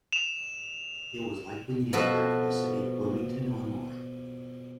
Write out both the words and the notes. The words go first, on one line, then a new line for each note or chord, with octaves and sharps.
It was likely named after the city of Bloomington, Illinois.
E7 F7
B2 F3 F#4 A4